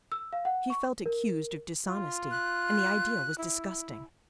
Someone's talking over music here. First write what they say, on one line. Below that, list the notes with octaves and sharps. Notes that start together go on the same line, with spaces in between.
She felt accused of dishonesty, and the idea was disgusting.
E6
F5
F#5
C#6
A#4
F4
F#6
E4